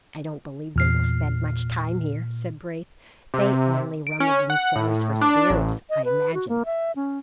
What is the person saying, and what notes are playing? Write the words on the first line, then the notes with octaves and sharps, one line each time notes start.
"I don't believe they will spend much time here," said Braith; "they only rummage in cellars for spirits, I imagine."
E2 A#2 F6 C7
C3
D7
C#4
F#5
A2
D4
A1
D#5
B4
F#4
A#3
E5
C#4